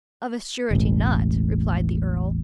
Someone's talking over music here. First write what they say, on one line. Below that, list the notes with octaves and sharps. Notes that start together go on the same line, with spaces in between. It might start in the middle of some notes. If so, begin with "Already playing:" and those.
"Of a surety not," replied the earl.
E1 A1